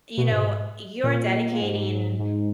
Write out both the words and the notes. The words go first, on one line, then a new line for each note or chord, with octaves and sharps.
you know, you're dedicating
B2
G#2
A#2
A#2
G#2
G#2